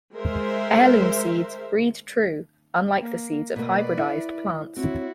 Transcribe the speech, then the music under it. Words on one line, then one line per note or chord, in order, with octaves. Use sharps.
Heirloom seeds "breed true," unlike the seeds of hybridized plants.
G#3 A#4 C5 E5
A#3
B2 A#3 B4 D5
E4
C4 E4 F#4 C#5